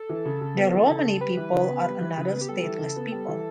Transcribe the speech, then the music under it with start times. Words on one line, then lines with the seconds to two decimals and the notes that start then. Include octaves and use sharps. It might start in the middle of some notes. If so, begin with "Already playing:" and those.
The Romani people are another stateless people.
Already playing: A4
0.09 E3
0.25 C#3
0.41 C#3
0.57 B3
0.73 E3
0.89 C#3
1.05 C#3
1.20 G3 B4
1.37 E3
1.53 C#3
1.68 B3
1.84 G3
2.01 E3
2.17 C#3
2.32 B3
2.41 G4
2.49 G3 A4
2.64 E3
2.81 C#3
2.96 B3
3.12 G3
3.28 E3